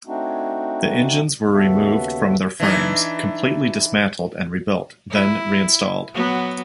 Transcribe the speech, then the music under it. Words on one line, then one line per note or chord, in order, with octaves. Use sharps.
The engines were removed from their frames, completely dismantled and rebuilt, then reinstalled.
A3 C4 D4 D#4 F#4
D#2 C#3 B3 F#4 A4 E5
E3 D4 D#4
E4
F#3 B3